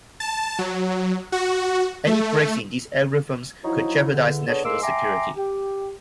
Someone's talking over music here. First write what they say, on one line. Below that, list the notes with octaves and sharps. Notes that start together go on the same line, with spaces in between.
Any breaks in these algorithms could jeopardize national security.
A5
F#3
F#4
A3
F3 F#3 D#4 E4
E2 D3
D3 B3 D4 G#4 C#5
G#2 G#3 A#3 C6 D6 E6
E5 G5 G#5 A#5 C6 D6
G4